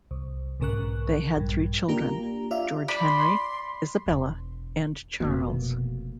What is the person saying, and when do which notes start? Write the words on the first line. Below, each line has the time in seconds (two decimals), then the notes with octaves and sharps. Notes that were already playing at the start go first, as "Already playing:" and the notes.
They had three children: George Henry, Isabella and Charles.
0.11 C2
0.60 B1 G#2 C#3 A#4 C#6 F#6
1.36 A#1 G2
1.88 A#3 D4 F4 G4 A#5
2.51 F4 D5 E5 F5
2.88 D5 B5
3.02 C6
4.06 E1
5.20 F1 B2 A#3